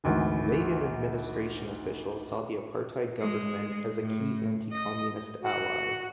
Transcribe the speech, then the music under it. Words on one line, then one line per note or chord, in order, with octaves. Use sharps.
Reagan administration officials saw the apartheid government as a key anti-communist ally.
G#1 D2 E3
G#3
A2
D#5
F#4